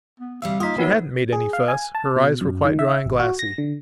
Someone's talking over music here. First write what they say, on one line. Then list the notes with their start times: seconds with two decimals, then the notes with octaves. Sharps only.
She hadn't made any fuss; her eyes were quite dry and glassy.
0.20 B3
0.42 D2 C3 G3 F5 E6
0.60 A#3 D#4 F4 D#6 B6
0.78 B3 D#4 F#4 A#4 C#5 E5
1.33 G#4
1.53 F5
1.68 G#5
1.95 A5
2.16 B2
2.41 F#2
2.65 D#3
2.79 E5
3.05 G#1
3.20 F#4
3.39 A#6
3.58 D3